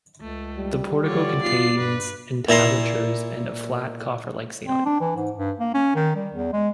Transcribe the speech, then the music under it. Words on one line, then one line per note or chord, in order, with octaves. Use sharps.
The portico contains entablatures and a flat, coffer-like ceiling.
C#2 A3
G3
D3 F4 C#5 D5
B3 F4 C7
G2 B4
A#2 E4 A#5 C6
C4
D4
E3
G#2
G2
A#3
C#4
D#3
G3
E2
G#3